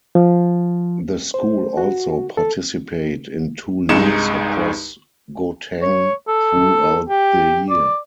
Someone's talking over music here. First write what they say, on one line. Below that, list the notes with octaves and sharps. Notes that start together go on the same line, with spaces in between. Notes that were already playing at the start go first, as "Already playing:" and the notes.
The school also participate in two leagues across Gauteng throughout the year.
F3
C5
F#4
A4
C2 G2 G#3 D#4 C#7 E7
C#5
A4
G4
D5